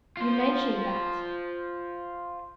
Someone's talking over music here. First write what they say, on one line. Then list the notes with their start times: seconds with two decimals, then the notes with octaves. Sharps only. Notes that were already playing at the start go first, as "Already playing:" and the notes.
You mentioned that.
0.17 F4 C5